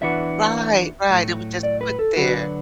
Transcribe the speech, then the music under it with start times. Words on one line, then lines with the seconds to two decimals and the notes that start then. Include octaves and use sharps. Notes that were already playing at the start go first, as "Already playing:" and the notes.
Right, right, it was just put there.
0.02 E3 B3 D4 F#4 B4 E5
1.09 A2 F#3 A3
1.63 D5
1.81 B4
1.99 A4
2.17 D3 F#3 D4 F#4 B4